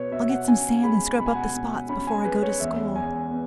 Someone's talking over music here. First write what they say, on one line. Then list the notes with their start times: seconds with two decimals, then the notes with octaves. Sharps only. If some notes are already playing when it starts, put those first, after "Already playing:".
I'll get some sand and scrub up the spots before I go to school.
Already playing: B2 B4 C#5
0.11 B2 E5
0.29 F#5
0.48 C#4 G#5
0.77 G#5
0.84 G#3 B5
1.18 B2 B5
1.26 G#5
1.35 F#5
1.43 G#5
1.54 B2
1.89 C#4 B5
2.07 G#5
2.25 G#3 B4
2.43 C#5
2.60 E2 E5
2.96 E2 G#5
3.31 B3